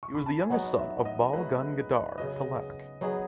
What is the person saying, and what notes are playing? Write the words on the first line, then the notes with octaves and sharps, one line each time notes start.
He was the youngest son of Bal Gangadhar Tilak.
C#6
B5
A5
G#5
F#3 B3 D#4 F#4 F#5
E5
D#5
F#3 A3 D#4 G#4 B4
C#3 F#3 B3 D#5
F#3 B3 D#4 G#4